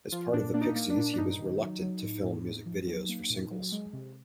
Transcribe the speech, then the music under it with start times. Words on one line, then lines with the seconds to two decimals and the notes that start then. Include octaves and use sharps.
As part of the Pixies, he was reluctant to film music videos for singles.
0.12 F3 F4
0.33 A#2 D4
0.54 A#3 D4
0.61 D#4
0.75 A#3
0.90 D4
0.96 A#2
1.13 D4
1.18 G2 D#4
1.39 D#3
1.60 F#3
1.82 F#3
2.02 A2
2.24 A2
2.45 A2
2.66 F3
2.87 F#3
3.09 A#3
3.30 A#2
3.51 F#3
3.72 G#3
3.93 C3